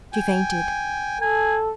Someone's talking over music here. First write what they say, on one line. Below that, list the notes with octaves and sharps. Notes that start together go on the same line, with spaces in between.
She fainted.
G5 G#5
A4 G#5